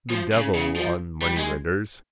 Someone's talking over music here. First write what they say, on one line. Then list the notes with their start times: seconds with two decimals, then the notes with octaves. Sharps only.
The devil on moneylenders.
0.10 F3
0.32 C#3
0.55 C#3
0.76 F3
1.21 G3
1.37 G#3